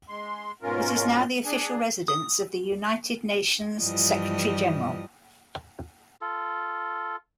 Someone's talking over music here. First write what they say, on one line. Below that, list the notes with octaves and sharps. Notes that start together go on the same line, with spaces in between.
It is now the official residence of the United Nations Secretary-General.
G#3 C6
G#2 B2 C#4 F4 A#4
D4 G#4
D#6
G2 E3 F3 G3 D#5
F4 A4